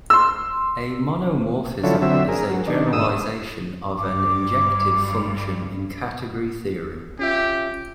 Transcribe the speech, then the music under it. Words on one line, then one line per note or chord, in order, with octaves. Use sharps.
A monomorphism is a generalization of an injective function in category theory.
C6 E6
D3 F3 F#3 C#4 E4 A4
D3 F#3 C4 E5
G#4 A#4
F#3
D#3 D4
G#2 D#6 E6
G2 D6
C#4 F4 G4 E5